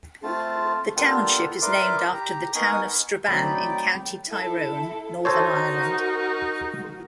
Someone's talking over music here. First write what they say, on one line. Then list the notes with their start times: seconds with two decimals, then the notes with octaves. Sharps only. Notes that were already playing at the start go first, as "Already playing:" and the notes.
The township is named after the town of Strabane in County Tyrone, Northern Ireland.
0.23 A3 C4 F4 A5
0.96 A#3 B3 D4 F4 G4 A4
1.62 A#4 B4 D5 E5 C6 D6
2.13 G4 A#5
2.55 B3 D#4 A#4 G#5 C#6 D#6
3.29 F#3 A3 C4 D#4 D5 G5 B5
4.29 E4 A4
5.25 D#4 F#4 A4 A#4 C5 C#5